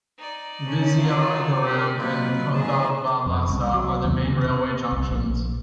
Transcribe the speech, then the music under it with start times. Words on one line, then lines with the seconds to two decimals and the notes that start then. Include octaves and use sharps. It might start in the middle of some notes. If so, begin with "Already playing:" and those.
Vizianagaram and Kothavalasa are the main railway junctions.
0.18 D#4 D5
0.66 C#4 C#5 A5
1.01 F#3 F4
1.65 G4 G#4 A#4 C6
1.99 A#2 F#3 F4 B4 D#5
2.54 G#2 F3 G#4 A5
3.26 F2
3.49 C2
3.74 F#3
4.05 D#2
4.45 C3
4.92 C2
5.11 A#1